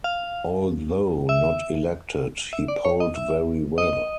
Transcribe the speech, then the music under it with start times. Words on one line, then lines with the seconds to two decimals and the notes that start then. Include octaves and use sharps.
Although not elected, he polled very well.
0.04 F5
1.29 E5
2.53 E5
2.68 D5
2.85 C#5
3.00 D#5
3.16 E5
3.78 D#5